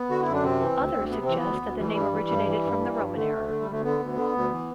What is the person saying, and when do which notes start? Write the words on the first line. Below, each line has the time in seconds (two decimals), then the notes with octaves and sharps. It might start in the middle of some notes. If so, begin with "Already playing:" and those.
Others suggest that the name originated from the Roman era.
Already playing: B3
0.09 D3 F#4
0.22 E4
0.27 F#2
0.33 D4
0.44 C3 C4
0.60 E3
0.77 D2
0.94 D2
1.11 C3 B3
1.25 E3 C4
1.37 B3
1.46 D2
1.62 D2
1.79 E3 G3
1.86 A3
1.93 G2 G3
2.13 E3
2.30 G2
2.46 E3
2.64 G2
2.80 E3
2.97 G2
3.15 D3 A3
3.32 D2
3.48 D3
3.61 D2 G3
3.71 A3
3.83 D3 B3
4.00 D2
4.16 D3
4.34 D2
4.51 E3